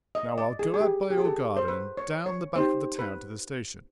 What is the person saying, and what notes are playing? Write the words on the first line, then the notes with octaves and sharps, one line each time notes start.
Now I'll go out by your garden and down the back of the town to the station.
D#5
D5
G#4
G#4
G4
G4
G#4
A4
C5
B4
C#5
C#5
C4 D#4 G4 C5
B4